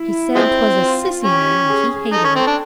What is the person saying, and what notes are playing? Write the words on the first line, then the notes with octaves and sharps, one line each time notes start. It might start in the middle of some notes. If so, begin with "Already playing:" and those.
He said 'twas a sissy name, and he hated it.
Already playing: E4
F3 G#3 C4
F4
C#4 G4
G#4
D#4 A4
C#4
C4
D4